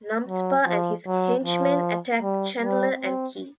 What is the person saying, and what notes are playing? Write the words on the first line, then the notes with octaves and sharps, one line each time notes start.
Numspa and his henchmen attack Chandler and Kee.
F#3
F3
F#3
F3
G3
G3
C4